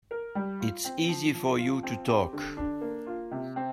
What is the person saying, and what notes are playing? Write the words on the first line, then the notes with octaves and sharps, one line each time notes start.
It's easy for you to talk.
A#4
G3
F4
C4
F3
F3
F4
C4
G4
D3
D4
A#3
F4
C3
C4